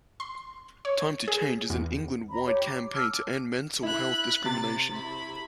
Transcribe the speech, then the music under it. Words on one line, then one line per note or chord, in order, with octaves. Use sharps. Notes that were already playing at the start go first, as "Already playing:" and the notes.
Time to Change is an England-wide campaign to end mental health discrimination.
C6
C#5
G#4
E2
A#5 B5
G4 C#5 D6
D6
A5 D6 E6 F6
E4 B5 F#6
C3 A6
E4 B5